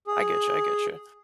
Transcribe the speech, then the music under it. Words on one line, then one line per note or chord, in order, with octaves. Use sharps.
I get you, I get you.
G#4